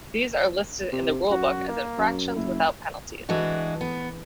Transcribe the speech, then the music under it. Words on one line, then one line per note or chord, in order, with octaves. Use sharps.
These are listed in the rule book as infractions without penalties.
C3
F#2 F#4
A#3
F#2
F#1 E4
E3 G#3 D4 F#4
B3